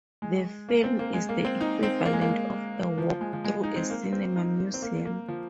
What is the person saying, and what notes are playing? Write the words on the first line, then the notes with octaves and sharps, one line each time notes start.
The film is the equivalent of a walk through a cinema museum.
G#3
A#3
C4
A#3
G#3
A#3
C4
D#4
C4
A#3
G#3
A#3
G#3
F3
F3
G#3
F3
G#3
D#4
C4
A#3
C4
D#4
C4
A#3
A#3
F3